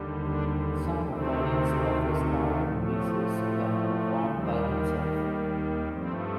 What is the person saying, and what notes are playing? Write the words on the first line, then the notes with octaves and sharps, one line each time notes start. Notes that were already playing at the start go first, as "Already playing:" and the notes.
Some recordings of his organ pieces were performed by himself.
Already playing: D#2 D3 G3
D4
D2 C3 D#3 A3 C4
A2 F3 A3
D#2 D#3 G3 C4
A3
A#3
G2 F3 A3 C4